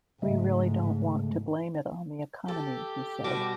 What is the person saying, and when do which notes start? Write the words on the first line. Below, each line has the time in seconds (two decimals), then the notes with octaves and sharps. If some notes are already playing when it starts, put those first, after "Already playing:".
"We really don't want to blame it on the economy," he said.
0.22 G#2 C#3 G#3 A3
2.48 G4 A4
3.24 B2 G3 F#4 D6